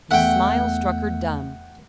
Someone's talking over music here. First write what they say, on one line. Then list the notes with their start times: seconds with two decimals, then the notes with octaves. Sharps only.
His smile struck her dumb.
0.11 E2 A3 E5 F#5 G5